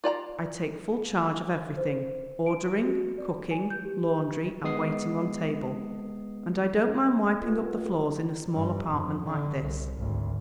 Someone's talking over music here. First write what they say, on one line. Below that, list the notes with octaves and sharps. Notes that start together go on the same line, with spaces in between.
I take full charge of everything--ordering, cooking, laundry and waiting on table, and I don't mind wiping up the floors in a small apartment like this.
F4 D5 A5 A#5
C5
D7
F#4
D5
G#5
G6
G4
G#3 B3 D#6 C7
F#2 G3 B3 F4
G2
F2
D3
C2
G#1 D2